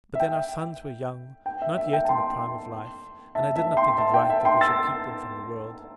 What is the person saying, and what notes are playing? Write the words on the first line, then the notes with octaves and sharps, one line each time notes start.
But then our sons were young--not yet in the prime of life--and I did not think it right that we should keep them from the world.
E5
G5
G5
E5
E5
G5
A5
G5 C6
E5 A5
E5 A5
G5 C6
E5 A5
G5
E5 A5
G5 C6
E6 A6